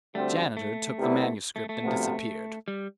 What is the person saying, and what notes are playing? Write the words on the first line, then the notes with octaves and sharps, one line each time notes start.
The janitor took the manuscript and disappeared.
D2 D3 G3 A3 C4
A3
C2 C3 G3 B3 E4
A3
A3
D2 C3 F3 B3
G3